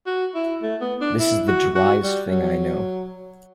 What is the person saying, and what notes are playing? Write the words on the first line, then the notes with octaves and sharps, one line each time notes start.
This is the driest thing I know.
F#4
E4
A3
B3
D4
E4
F#4
F#4
G3
F#3